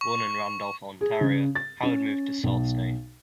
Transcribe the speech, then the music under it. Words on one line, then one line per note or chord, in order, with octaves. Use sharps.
Born in Randolph, Ontario, Howard moved to Sault Ste.
C#6
G#4
C#3
A6
C#4
B1